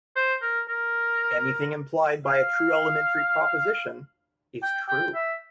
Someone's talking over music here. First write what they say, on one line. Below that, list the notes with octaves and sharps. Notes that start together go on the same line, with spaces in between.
Anything implied by a true elementary proposition is true.
C5
A#4
A#4
F5
G5
G5
E5